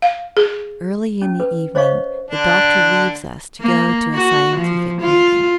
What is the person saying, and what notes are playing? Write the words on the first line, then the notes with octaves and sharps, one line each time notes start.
Early in the evening the doctor leaves us to go to a scientific meeting.
F5
G#4
C#4
B4
C5 C#5 D#5 F5 C#6
D3 D4
A#3
F#4
F3
F4